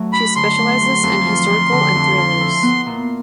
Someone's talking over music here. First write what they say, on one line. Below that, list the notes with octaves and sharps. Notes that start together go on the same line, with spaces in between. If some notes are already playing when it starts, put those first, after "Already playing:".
She specializes in historical and thrillers.
Already playing: F#3 A3
F#2 B5
D3 C6
A3
F#3
F2
F3
F2
D3
F2
F3
E4
B3
A#2